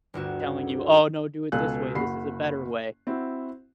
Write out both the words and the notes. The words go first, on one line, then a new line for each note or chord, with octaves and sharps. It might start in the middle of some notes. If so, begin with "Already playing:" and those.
telling you, "Oh, no, do it this way. This is a better way."
G1 D2 F#4 E7
C#2 B2 A4 G#5 F#6
F#1 F#4 B5 C7
C4 E4 F#4